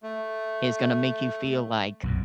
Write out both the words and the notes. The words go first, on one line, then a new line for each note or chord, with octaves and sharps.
is gonna make you feel like
A3
B1 F#2 A#2